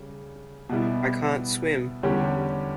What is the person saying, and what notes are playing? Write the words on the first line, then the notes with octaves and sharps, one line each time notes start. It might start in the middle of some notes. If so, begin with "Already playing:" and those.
I can't swim.
Already playing: C#3 G3
B2 G3 B3 E4
E2 D3 G3 C#4 G4